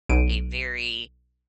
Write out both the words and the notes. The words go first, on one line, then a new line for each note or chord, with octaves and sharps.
a very
B1 D7 D#7